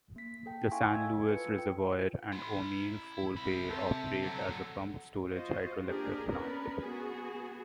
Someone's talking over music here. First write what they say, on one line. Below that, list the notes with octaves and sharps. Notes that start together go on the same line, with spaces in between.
The San Luis Reservoir and O'Neill Forebay operate as a pumped storage hydroelectric plant.
A#3 B6
A4 G5 A5
E4 A4 F5 G#5 C6 C#6
D#5 E6 G#6
F4 A4 B4 C#7
G5
E4 C6
C3 B5
C3 A4
D3 F#3
F4 F#4 C5 D#5
A#3 D4 G4 G#4 A#4
B3 C#4 D4 A#4 B4
B3 F#4 G#4